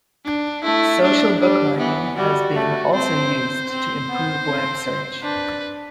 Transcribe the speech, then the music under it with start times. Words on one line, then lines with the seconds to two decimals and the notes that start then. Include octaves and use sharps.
Social bookmarking has been also used to improve web search.
0.25 D4
0.64 A3 E4
1.02 D4
1.40 G3 D4
1.78 E3 B3
2.17 G3 F#4
2.55 A3
2.93 C4 C5
3.69 C4 C5
4.08 B3
4.46 C4
5.22 D4 B4